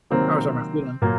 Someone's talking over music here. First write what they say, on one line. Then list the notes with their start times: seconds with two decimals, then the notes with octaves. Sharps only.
I lose all my freedom,
0.10 C3 D#3 F#3 A#3 C4
1.02 A#2 F#3 A#3